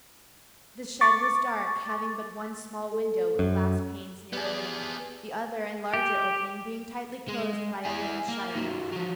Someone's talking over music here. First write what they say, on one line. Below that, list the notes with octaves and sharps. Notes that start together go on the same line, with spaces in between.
The shed was dark, having but one small window with glass panes near the loom, the other and larger opening being tightly closed by a wooden shutter.
C#6 D6 A6
A4
F#2
G3 B3 D4 G#4
G4
G#3
E4 G#4
A#3
D#3 F#3
F3 F#3